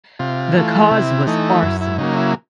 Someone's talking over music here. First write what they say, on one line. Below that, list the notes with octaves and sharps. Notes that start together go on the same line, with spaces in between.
The cause was arson.
C3 F4
E3 A3
C3 E4
E3 A3 D#4
F#2 E4
E4
C#3 F#3 A#3 D#4
E4